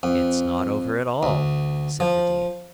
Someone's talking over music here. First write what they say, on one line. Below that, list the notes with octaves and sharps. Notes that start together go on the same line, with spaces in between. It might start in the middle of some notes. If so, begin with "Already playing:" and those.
"It's not over at all," said the dean.
F2
D2
F3